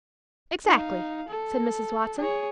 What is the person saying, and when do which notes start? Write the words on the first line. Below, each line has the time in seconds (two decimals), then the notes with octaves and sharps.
"Exactly," said Mrs. Watson.
0.65 D#4 F5
1.28 A4
2.18 G#4 C#5